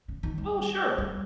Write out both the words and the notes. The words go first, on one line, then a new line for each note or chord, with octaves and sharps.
Well, sure.
C#3
D#3
G3
G3